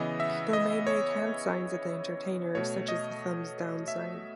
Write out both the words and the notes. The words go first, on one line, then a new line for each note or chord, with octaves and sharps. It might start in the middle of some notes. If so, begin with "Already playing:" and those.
People may make hand signs at the entertainer, such as the thumbs down sign.
Already playing: C#3 E3 B3 D#5
E5
D#5
C#5
B2 A3 C#5
D#5
E5